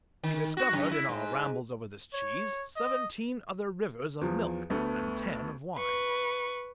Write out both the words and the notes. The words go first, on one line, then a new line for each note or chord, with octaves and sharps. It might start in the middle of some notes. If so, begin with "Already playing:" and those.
We discovered, in our rambles over this cheese, seventeen other rivers of milk, and ten of wine.
D#3
F#4
F#2
E4
G#2
C#5
D#5
E2 F3
D2 A3 B3
B4 C#6